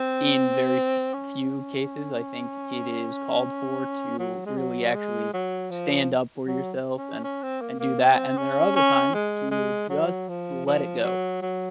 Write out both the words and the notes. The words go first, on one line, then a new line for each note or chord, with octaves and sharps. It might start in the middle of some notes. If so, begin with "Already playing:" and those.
in very f few cases, I think it is called for to really, actually stand up for yourself and and do that and there are other times to just let it go,
Already playing: C4
C#4
F#3
G#3
F#3
G#3
F#3
F3
F#3
C#4
C#4
C4
A#3
A#3
C4
C#4
C#4
G#3
G#3
F#3
F3
F3
F#3
F#3